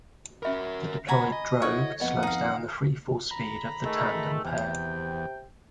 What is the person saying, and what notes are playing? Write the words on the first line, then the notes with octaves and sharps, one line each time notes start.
The deployed drogue slows down the free-fall speed of the tandem pair.
C#4 F#4 A#4 E5 B5
A2 F#5 G#5 A#5 B5 C#6
D#5
E4 F#4 G4 A4 C5 C#5
F2 B3 D#5 F#5
D#4 F5 A5
A#5 B5
D#3 G#3 A3
E2 C3 G5